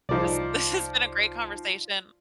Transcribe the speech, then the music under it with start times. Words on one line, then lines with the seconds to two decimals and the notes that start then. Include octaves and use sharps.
This this has been a great conversation.
0.09 C2 F3 D#4 D5